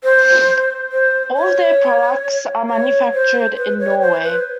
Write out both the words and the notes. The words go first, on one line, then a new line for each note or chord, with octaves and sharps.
All of their products are manufactured in Norway.
C5
C5
C#5
C#5
C5
B4
C#5
C5
B4